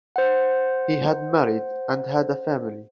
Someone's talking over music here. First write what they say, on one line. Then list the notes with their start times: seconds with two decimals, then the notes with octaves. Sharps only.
He had married and had a family.
0.16 C5 F#5